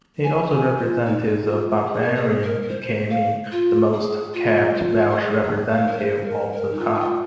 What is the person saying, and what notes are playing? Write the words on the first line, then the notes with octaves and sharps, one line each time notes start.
He also represented the Barbarians becoming the most capped Welsh representative of the club.
G#5
G#5
F4
D#4
D#4
F4
G#4
A#4
G#4
A#4
A#4
C5
F5
F4
G#4
F4
F4
A#4
G#4
G#4
F5
A#4
C5
A#4
A#4
D#4
F4
D#4
F4